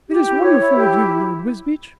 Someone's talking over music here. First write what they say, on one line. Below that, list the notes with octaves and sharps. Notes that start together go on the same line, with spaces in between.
"It is wonderful of you, Lord Wisbeach."
G4
E4
C#5
E4
G4
E4